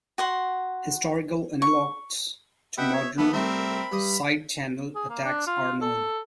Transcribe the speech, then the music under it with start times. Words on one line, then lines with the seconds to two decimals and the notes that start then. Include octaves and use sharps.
Historical analogues to modern side-channel attacks are known.
0.18 F#4 F#5 C6
1.62 C#6
2.78 B2 E5 F#5 G5 B5
2.93 C#5
3.18 A#1 E3 B3 A4 B5
3.33 C2 A3 C4 A#4 E5
3.92 G2 G3 D#6
4.95 G#4
5.09 A#3
5.25 D4
5.47 F4
5.81 A4